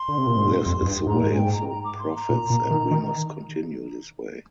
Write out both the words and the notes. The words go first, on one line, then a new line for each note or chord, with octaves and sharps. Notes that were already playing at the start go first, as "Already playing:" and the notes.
This is the way of the prophets and we must continue this way.
Already playing: C6
D3
C3
A#2
G#2
G2
F2
F2
G2
G#2 A#5
A#2
G#2
G#5
G5
A#5
A#5
D6
C6
A#5
A#2
A#2
D#3
D#3